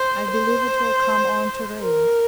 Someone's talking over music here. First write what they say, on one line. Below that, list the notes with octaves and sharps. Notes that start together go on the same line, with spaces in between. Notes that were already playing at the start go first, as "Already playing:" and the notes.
I believe it will come on to rain.
Already playing: C5
C5
A#4